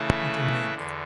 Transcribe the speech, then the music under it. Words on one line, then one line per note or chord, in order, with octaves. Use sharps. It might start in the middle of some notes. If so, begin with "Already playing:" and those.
Peter Meienberg.
Already playing: C#3 E3 A3 E4 B4
E2 D3